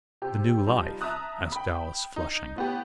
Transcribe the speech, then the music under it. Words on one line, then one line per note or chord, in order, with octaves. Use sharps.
"The new life?" asked Alice, flushing.
C3 G4
F3 G3 D#4
E5 A5 A#5 D#6 F#6
G5 B5
D#4
A2 B3 G4